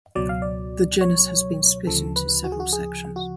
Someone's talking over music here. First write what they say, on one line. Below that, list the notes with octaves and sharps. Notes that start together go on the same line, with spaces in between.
The genus has been split into several sections.
C#2 B2 F#3 D5
F5
D5
C#5
D2 C#3 F3 A4
B4
F#4
G#4
F#4
G#4
F#4